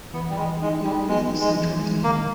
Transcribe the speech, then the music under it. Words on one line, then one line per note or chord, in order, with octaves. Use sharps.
Europe is the central theme.
E3 B3
G3
E3 G#3
G#3 D#4
G3 D#4
G#3 B3
D#4
G#3
E3
G#3
D#3 A#3